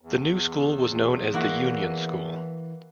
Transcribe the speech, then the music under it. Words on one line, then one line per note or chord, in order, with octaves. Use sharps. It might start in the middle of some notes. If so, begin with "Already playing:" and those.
The new school was known as the Union School.
E2
E3 A#3 E4 F#4